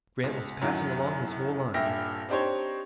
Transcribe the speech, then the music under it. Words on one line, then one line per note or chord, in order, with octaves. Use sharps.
Grant was passing along his whole line.
C#2
F#2 A2 D#3 F#3
D#1 G2 E5 G5 A#6
C4 D4 D#4 G4 C5 C#5